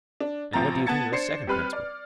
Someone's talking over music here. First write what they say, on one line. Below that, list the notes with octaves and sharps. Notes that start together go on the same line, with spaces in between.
And what do you think of a second principle?
D4
A1 F3 C4 A#5 A6
B3 F#5 A5 G#6 A6 C#7
D4 C5 C7 C#7
G3 C4 B4 B5 F6
D5